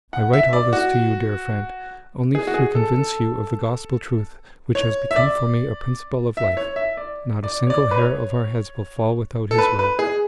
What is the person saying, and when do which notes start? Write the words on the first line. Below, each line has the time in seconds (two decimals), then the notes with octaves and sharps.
I write all this to you, dear friend, only to convince you of the Gospel truth which has become for me a principle of life: not a single hair of our heads will fall without His will.
0.13 F#5
0.33 E5
0.53 D5
0.73 F#4
2.35 G#4
2.47 F#4
2.54 G#4
2.75 A4
2.94 A4
4.75 C#5
5.11 E5
5.16 D5
6.37 E5
6.57 C#5
6.76 E5
6.97 D5
7.44 D5
7.67 C#5
7.70 D5
7.91 B4
7.98 C#5
9.51 A4
9.58 B4
9.79 B4
9.99 G#4